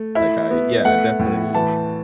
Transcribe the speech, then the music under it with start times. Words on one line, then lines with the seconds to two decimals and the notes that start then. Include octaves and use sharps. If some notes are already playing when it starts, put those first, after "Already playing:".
like, I Yeah, I definitely,
Already playing: A3
0.15 E4 E5
0.51 B3
0.85 A3 F#5
1.19 A2
1.55 E3 A5